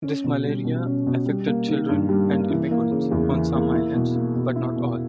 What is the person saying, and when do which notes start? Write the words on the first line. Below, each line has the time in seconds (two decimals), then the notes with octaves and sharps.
This malaria affected children and immigrants on some islands but not all.
0.03 C#4
0.24 B2
0.44 G3
0.65 B2
0.86 C#4
1.07 B2
1.26 G3
1.47 A#3
1.68 D#3
1.89 G2
2.09 G3
2.30 A#3
2.50 E3
2.71 A#3
2.91 C#3
3.12 E2
3.32 E3
3.53 A#3
3.74 E4
3.94 B2
4.15 A#3
4.35 B2
4.56 E4
4.76 B2